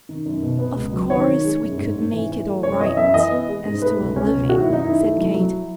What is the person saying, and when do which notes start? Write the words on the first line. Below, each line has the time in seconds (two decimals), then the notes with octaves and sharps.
"Of course we could make it all right, as to a living," said Kate.
0.09 D#3
0.26 F#2
0.42 B2
0.59 B3
0.76 C#2
0.93 F#3
1.10 D#3 C#5
1.27 D#3
1.44 G#3
1.61 F#2
1.78 G#2
1.96 G#2
2.12 E3
2.29 E3
2.46 A3
2.63 F#2 C#5
2.80 E3 D#5
2.97 F#2 E5
3.14 E3 D#5
3.31 B3
3.48 G#3
3.65 G#2
3.82 A3 B4
3.99 C#2
4.16 C#2 C#4
4.33 B2
4.49 D#3 F#4
4.61 E4
4.67 F#2
4.73 D#4
4.84 D#3 E4
5.01 A3
5.18 F#3
5.34 F#3